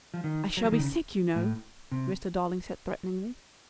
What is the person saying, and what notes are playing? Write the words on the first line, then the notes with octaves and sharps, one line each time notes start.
"I shall be sick, you know," Mr. Darling said threateningly.
F3
D#3
F#3
F3
D#3
C#3
A2
C3